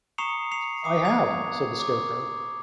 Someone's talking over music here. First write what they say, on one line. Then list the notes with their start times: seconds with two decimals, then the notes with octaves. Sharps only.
"I have," said the Scarecrow.
0.18 A#5 C#6 D#6 C7 C#7 F7
0.52 C7 C#7 F7
0.84 D6 D#6 C7
1.05 G#6 F7
1.80 D6